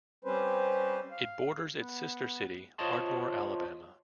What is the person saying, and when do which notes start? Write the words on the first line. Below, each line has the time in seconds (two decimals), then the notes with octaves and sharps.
It borders its sister city, Ardmore, Alabama.
0.25 G3 C4 C#4 B4 C5
1.11 F5
1.76 B3
2.78 F4 C5 C#5 D#5 A5 C6